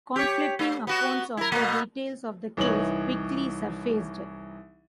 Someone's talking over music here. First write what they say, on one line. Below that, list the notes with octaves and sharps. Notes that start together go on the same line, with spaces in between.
Conflicting accounts of the details of the case quickly surfaced.
G4 C#5
A3
B3 F#4
E4 A#4
B2 A3 A#3
C2 E3 D#4 C#5 F#7